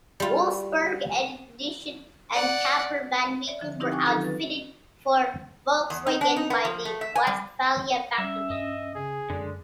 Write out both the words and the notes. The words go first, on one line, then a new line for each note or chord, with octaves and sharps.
Wolfsburg Edition and camper van vehicles were outfitted for Volkswagen by the Westfalia factory.
G3 F4
D5 F#5
C#5 D5 E5
D3 F3
C4 D#4 E4 G4 D6 A#6
G5 G#5 C#6 D6 F#6
D#3 F#3 C#4 D#4 F4 A4
B4 A6
E2
D#4
D4
D#4
B3
F3
A3
E5
G#5
G3
G3 C#4 E5
G2 D#5
C#3 G#4
F#2 D3 G#3 D5